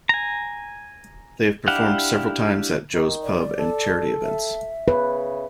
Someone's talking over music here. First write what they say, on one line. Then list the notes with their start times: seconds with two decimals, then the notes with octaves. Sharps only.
They have performed several times at Joe's Pub and charity events.
0.09 G#5 A#5
1.68 D4 E4 G4 F5 F#5
2.94 D#3
3.22 D5
3.59 A4
4.22 E5
4.88 C#3 B4